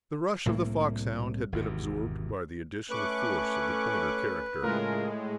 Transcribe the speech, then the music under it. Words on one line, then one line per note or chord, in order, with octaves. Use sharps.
The rush of the Foxhound had been absorbed by the additional force of the Pointer character.
C2 A2 A3 A#3
G#1 E2 C3
A3 C#4 B4 C#6 D6 F#6
A2 C#3 G#3 F4 A#4